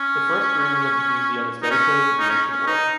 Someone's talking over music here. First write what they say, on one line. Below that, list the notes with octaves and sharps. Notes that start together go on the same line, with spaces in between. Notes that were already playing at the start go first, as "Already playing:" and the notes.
The first room in the museum is dedicated to ancient world.
Already playing: C#4
D#4
C#4
D#4
C#4
C#4
D#4